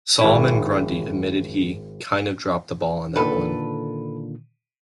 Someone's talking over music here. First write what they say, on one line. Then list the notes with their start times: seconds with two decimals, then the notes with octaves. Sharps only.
Solomon Grundy admitted he "kinda dropped the ball on that one".
0.21 G#1 E4
3.16 A#2 D3 D#3 A4 B4